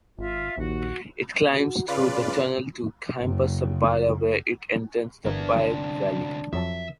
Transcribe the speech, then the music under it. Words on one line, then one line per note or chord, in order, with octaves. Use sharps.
It climbs through the tunnel to Cima Sappada, where it enters the Piave Valley.
G#1 F4 E5
A#1 D#2 F#4
F#4
C#3 F4 B4 D5
F#1 C#3
G1 E3 B3 D4 A#4
D2 C3
F2 F#3 E5 A5